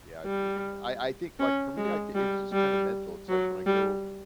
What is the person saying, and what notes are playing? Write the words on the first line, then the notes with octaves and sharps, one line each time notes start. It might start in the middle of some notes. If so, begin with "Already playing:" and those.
yeah, I think I I think like for me, I think it's just kind of mental, it's like when I go,
G3
C#4
G#3
G3
G3
F#3
G3